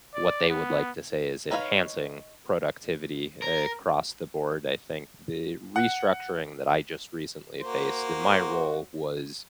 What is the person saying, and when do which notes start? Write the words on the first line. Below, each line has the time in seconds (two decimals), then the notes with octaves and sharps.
what they would like to say is enhancing productivity across the board, I think the restructuring that I just recently faced, in my role was,
0.14 D5
0.49 B3
1.51 D#4 B4 C#5 E5 F5
3.42 A#4
5.76 F#5
7.60 A#3 F#4 C5